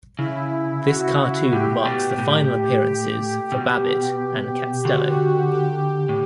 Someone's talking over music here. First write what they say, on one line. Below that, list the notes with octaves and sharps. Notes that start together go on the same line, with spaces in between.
This cartoon marks the final appearances for Babbit and Catstello.
C#3 E4
F#4
A2 G4
B2 G4
A2 G4
G4
B2
D3 F#4
G4
A2